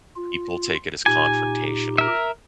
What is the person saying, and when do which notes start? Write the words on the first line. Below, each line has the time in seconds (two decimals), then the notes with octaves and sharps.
people take it as confrontational,
0.16 F4
1.06 A#2 D#4 G4 G#5
1.98 A#4 E5